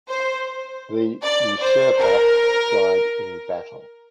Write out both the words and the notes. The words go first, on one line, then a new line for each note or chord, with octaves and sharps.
The usurper died in battle.
C5
D5
C5
A#4